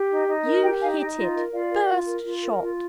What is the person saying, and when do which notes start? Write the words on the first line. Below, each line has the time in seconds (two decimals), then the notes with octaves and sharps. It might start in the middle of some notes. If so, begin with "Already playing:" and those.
You hit it first shot.
Already playing: G4
0.09 D#4
0.27 D#4
0.44 A#4
0.62 G4 G5 A#5
0.80 D#4 F5 G#5
0.98 D#4 D#5 G5
1.17 F4 D#5
1.35 A#4 D#5
1.52 F4 D5 F5
1.70 A#4
1.89 F4
2.06 A#4
2.25 F4
2.43 A#4
2.61 F4